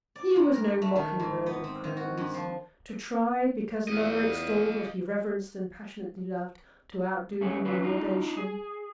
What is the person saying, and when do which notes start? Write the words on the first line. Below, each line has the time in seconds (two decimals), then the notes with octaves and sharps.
He was no mocking-bird of praise, to try because another extolled what he reverenced and passionately loved, to outdo him in laudation.
0.16 D5
0.36 G2
0.54 A#4
0.82 A3
0.96 D#3
1.20 G#2
1.46 B3
1.64 C4
1.84 D#3
1.97 F#4
2.17 G2
2.34 F3
3.89 E2 F4 D#5
7.41 G2 A3 C#4 G#4
7.65 E3 C#4 F4 B4
7.82 D4 D#4 F4
8.37 G#4